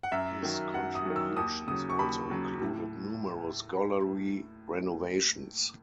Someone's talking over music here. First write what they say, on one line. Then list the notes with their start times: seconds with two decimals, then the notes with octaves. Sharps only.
His contributions also included numerous gallery renovations.
0.03 F#5
0.12 F#2 E5
0.43 D#3 F#3
0.74 F#2 F#5
0.95 D#6
1.05 D#3 F#3
1.16 E6
1.37 D#2 D#6
1.68 C#3 F#3 D#6
1.90 C#6
1.99 D#2 B5
2.30 C#3 F#3
2.62 A2